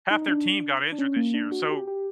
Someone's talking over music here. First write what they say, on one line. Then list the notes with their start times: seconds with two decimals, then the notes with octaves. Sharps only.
half their team got injured this year, so
0.10 D#4
0.22 D#4
0.28 D4
0.92 D4
0.98 C#4
1.16 A#3
1.34 D4
1.52 F#4
1.70 G4
1.87 G4